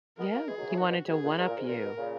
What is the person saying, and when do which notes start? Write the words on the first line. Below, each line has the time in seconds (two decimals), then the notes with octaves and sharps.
Yeah. He wanted to one up you.
0.18 G#3 B3 A#4
0.32 F#3 A#3
0.48 E3 G#3 G#4
0.58 D#3 F#3
0.67 C#3 E3
0.78 B2 D#3 F#4
0.88 B2
1.08 B2 G#4
1.23 A#2
1.37 G#2 A#4
1.47 A#2
1.58 G#2
1.67 A#2 A#4
1.83 B2
1.97 A#2 C#3